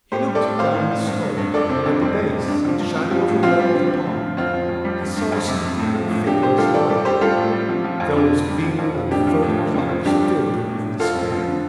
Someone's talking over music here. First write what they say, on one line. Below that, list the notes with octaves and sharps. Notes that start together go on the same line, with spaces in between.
He looked down the slope and, at the base, in the shadow of the wall of the Park, he saw some human figures lying. Those venal and furtive loves filled him with despair.
A2 G4 C5
G3
A4 D5
A2
A2 C5 F5
A2
A2
G2
G2
G2
F2 A4 D5
C3 C4
F2 D4
G3 C4
A2
G3
G2 D4
F3
G2
F3
F3
A2
G2 C4 F4
G3
D3
F3
A2
F3
F2 C4 F4
F3
F2
G3
G2
G2
F2
C3
C3
A2
F3
A2
A2 D4 G4
A2 G4 C5
G3 F4 A4
G2 A4 D5
G3 A4 D5
G3 G4 C5
G3 F4 A4
A2
G3
F3
F3
F2
D3 D4
D3
G3
F3
F2
F2
A2 D4 G4
F3
A2
F2
F3
F3
G2 D4 G4
G3
G2
A2
A2
A2
F2 F4 A4
F3
F3
D3